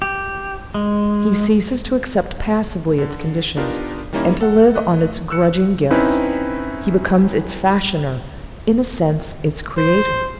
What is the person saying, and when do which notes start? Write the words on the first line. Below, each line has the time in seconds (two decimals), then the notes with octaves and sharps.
He ceases to accept passively its conditions, and to live on its grudging gifts; he becomes its fashioner, in a sense its creator.
0.02 G4
0.74 G#3
2.98 D3
3.57 B3 D4 D#4 F4 G4 A#4
4.13 D#3 G3 A#3 C#4 D#4 E4
4.41 A4 F#5
4.75 A3 D#5 F#6
5.30 E6 F#6 C#7
5.91 C4 C#4 D#4 E4 B4
9.77 C5